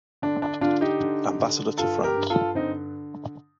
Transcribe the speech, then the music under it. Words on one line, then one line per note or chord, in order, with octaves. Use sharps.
Ambassador to France.
D3 D4
D4
D3 D4 F4
D#4 G4
D3
D3
G2 F4 A4
G4 A#4
G2
F4 A4
D3 C4 D#4